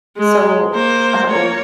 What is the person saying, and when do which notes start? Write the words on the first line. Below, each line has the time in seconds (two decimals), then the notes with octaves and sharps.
so, uh oh,
0.18 G#3
0.74 A#3 C5
1.29 A#3 C#5